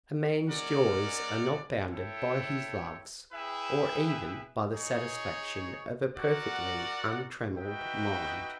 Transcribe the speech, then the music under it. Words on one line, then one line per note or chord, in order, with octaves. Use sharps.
A man's joys are not bounded by his loves or even by the satisfaction of a perfectly untrammelled mind.
G#3 C#4 F#4 A#4 D5
E4 A4 C#5 E5 G5
E4 G#4 B4 E5 G5
D#4 G#4 C#5
F#4 A#4 D5 F#5
D#4 F#4 B4 E5 G5